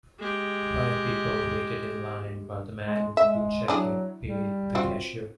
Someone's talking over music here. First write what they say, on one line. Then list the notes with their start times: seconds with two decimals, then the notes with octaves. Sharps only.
Five people waited in line while the man in the blue jacket paid the cashier.
0.19 G#3 G4
2.85 G#3
3.17 G#3 E5
3.68 E3 F#3 D4 G#4
4.22 G3
4.75 C4 F4 F#4